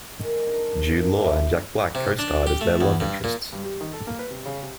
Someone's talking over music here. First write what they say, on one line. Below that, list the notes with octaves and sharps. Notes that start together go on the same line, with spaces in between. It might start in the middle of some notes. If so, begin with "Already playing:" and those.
Jude Law and Jack Black co-starred as their love interests.
D#3 G#3
D4 A#4
F#2 A#2 D4
E4 G4 A4 D6
C3
D4
G4
A3
E2
G2
A#2
G2
G3
D#3
A4
A#3
B4
C3
C#3
C3